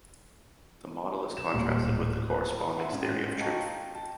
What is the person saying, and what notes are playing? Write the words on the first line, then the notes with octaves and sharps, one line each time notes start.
The model is contrasted with the correspondence theory of truth.
E7
D#1
D1
B4
E5 F#5 C6
A1 G#2 C#4
D#5 F5 G5 A5 A#5 C#6
G5 A5